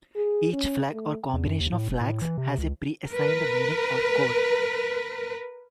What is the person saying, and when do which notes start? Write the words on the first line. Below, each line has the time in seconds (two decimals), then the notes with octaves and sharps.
Each flag or combination of flags has a preassigned meaning or "code".
0.16 G#4
0.53 C#4
0.92 A3
1.33 E2
1.46 F#2
1.60 D#2
1.72 A2
1.88 E1
2.01 A2
2.22 E3
2.37 C3
2.58 C#2
3.08 A#4 B4